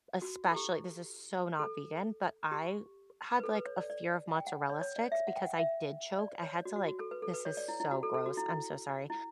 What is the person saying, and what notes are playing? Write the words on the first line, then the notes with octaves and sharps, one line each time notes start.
especially- this is so not vegan- but I had, like, a fear of mozzarella sticks because I did choke, I had to, like- this is so gross, I'm so sorry-
F#4
E4
A4
G4
A4
G4
B4
A4
B4
C#5
D5
D5
G5
F#5
C#5
C#5
D5
E5
F#5
G5
F#5
E5
D5
C#5
F#4
F#4
F#4
A4
B4
A4
B4
C#5
D5
E4
E4
F#4
A4
A4
F#4
E4
E4
E4